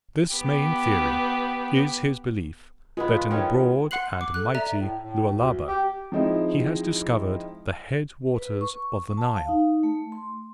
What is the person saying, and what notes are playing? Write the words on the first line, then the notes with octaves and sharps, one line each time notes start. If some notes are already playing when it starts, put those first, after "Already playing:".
This main theory is his belief that in the broad and mighty Lualaba he has discovered the head waters of the Nile.
B3 G4
G#3 B3 F4 B4
D#3 B3 C#4
F#5 C6 F#6 C7 F#7
D6
A4 F#6
D5 E5 A#5
A2
A2
D2
G4
F3 G#3 C4 D#4 E4
B4
C#6
A5
F5
D#4
A3
C6